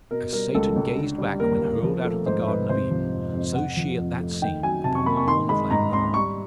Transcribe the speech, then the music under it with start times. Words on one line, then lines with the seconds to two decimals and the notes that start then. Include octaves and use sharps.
As Satan gazed back when hurled out of the Garden of Eden, so she at that scene upon the lawn of Llangorren.
0.11 B2 A#4
0.33 G3 A#4
0.55 C#2 A4
0.76 C#2
0.97 D3
1.18 G3
1.40 D#2 A#4
1.62 A#3
1.83 F3
2.05 A3
2.26 G#2 C5
2.48 G#2 B4
2.69 C3 C5
2.90 F3
3.13 F2
3.33 F2
3.55 C3 F#5
3.77 F3
3.98 F2
4.20 A3
4.42 D#3 G5
4.63 F#3 G#5
4.84 C3 A5
4.95 C#6
5.06 A#3 B5
5.17 C#6
5.28 D#3 C6
5.49 G#3 B5
5.71 G#2 A#5
5.92 G#2 C6
6.14 G3 C#6